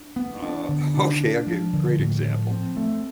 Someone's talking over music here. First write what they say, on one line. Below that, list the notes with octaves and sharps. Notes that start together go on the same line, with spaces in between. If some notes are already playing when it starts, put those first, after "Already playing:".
Uh, okay, I'll give great example.
Already playing: D4
B3
D4
D3
D4
D4
F3
D3
A2
F3
C4
A3